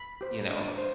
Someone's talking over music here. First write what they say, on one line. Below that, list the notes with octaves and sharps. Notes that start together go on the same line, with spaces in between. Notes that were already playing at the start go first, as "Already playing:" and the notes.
you know
Already playing: B5
G4 C5
D4
C5